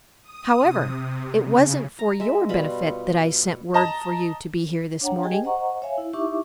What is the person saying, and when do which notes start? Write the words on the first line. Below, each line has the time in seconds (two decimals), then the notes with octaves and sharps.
However, it wasn't for your benefit that I sent word for you to be here this morning.
0.22 D#6
0.61 C3
1.37 C#3
1.99 A#5
2.20 G#3 E5
2.49 B2 G3 F4 B5
3.74 D#5 A5 A#5
5.01 D4 C#5 F#5 G5 A#5
5.23 G4 G#4 D#5 G5 G#5
5.43 C5 D#5 F#5 A#5 C#6
5.82 C#5 E5 F5 G#5
5.98 E4
6.13 D#4 E4 G4 E5 C#6 D6